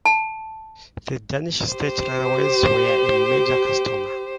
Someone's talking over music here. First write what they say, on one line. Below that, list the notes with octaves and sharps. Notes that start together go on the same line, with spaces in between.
The Danish State Railways were a major customer.
A5
G4 C5